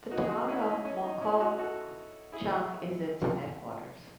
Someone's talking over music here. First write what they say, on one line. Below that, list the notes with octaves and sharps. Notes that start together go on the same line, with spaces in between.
The town of Mokokchung is its headquarters.
C#3 G#3 D#4 F#4
G#4
D#4 F#4
C#4 E4
E4
D#4
C#4
D#4
C#4 E4
D#4 F#4
F#4 A4
E4 G#4